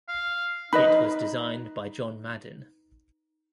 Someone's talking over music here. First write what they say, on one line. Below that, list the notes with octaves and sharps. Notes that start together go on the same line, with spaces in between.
It was designed by John Madin.
F5
D#4 B4 D#5 B5